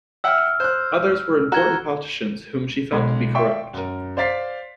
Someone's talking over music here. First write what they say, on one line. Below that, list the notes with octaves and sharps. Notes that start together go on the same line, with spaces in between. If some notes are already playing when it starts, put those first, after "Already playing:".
Others were important politicians whom she felt to be corrupt.
E5 F#5 G5 E6 F6
C5 F#6
F#4 A#5 G#6 G7
B1 G#3 B5 G#6
D5 E5 F5 G5 C6 C#6
F#2 A#4
C5 D5 F5 A6 B6 C7